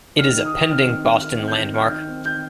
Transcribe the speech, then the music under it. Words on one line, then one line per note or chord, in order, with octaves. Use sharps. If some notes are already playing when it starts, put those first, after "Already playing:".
It is a pending Boston Landmark.
D#3 F6
D#4
D#6
D#3
C4 F6
D#3
D#4
D#3 F6
C4
G6
D#3
D#4 F6
D#3
C4
D#3 G6